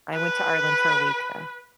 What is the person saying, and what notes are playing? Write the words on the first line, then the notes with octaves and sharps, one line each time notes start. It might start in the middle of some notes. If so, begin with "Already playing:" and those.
I went to Ireland for a week, though.
B4